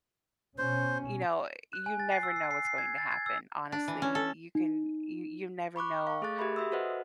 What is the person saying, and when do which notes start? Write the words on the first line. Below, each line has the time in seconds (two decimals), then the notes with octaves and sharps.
you know, uh, you never know what's going to happen, honestly. You can you you never know,
0.58 B2 C#4 C5
1.73 F#6
1.86 G#5
2.00 A6
2.12 C7
2.23 E6
2.36 C7
2.51 C7
2.65 C7
2.78 G#6
2.98 A6
3.12 G#6
3.26 E6
3.72 D4
3.88 E3
4.02 C#4
4.15 A4
4.55 D#4
5.76 B5 C#6 D6 F#6
6.07 F5 C#6
6.21 A3 G#4 A4 D6 F#6 A6
6.38 G4 G#4 A#4 E5 B5 C6
6.56 F#4 E5 C6 D#6 E6
6.72 F#4 A4 B4 C5 D#5 F#5